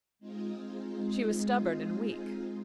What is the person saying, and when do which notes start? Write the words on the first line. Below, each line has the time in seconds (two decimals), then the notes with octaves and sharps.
She was stubborn and weak.
0.19 G#3 C4 D#4 F4 G#4